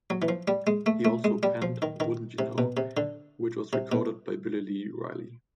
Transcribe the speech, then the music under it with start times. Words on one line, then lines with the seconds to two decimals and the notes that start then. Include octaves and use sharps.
He also penned "Wouldn't You Know", which was recorded by Billy Lee Riley.
0.10 F#3
0.22 E3
0.28 F3
0.48 G3
0.67 G#3
0.86 A3
1.05 A3
1.24 G#3
1.43 G3
1.62 F3
1.82 D#3
2.00 D#3
2.39 C3
2.58 B2
2.77 C3
2.97 D3
3.73 C3
3.92 B2